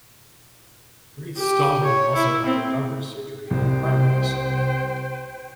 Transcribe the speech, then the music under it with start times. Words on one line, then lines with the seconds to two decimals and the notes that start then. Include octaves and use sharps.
Great Staughton also has a doctor's surgery and a primary school.
1.36 G4
1.84 C#5
2.15 E4
2.46 C4
3.51 C2 C5 G5